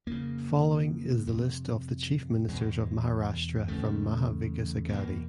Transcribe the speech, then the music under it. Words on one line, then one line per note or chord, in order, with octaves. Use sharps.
Following is the list of the Chief Ministers of Maharashtra from Maha Vikas Aghadi.
F2 C#3 A#3
F2 C3
E2 B2 G#3
E2 C#3 A3
E2 B2 A#3